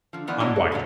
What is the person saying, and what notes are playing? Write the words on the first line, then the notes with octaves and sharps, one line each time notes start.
I'm white,
D3 F3
D#3 F3 B3 E4 D5
B2 F#3 D4 E4 D#5
A4
A#2 D3 F#3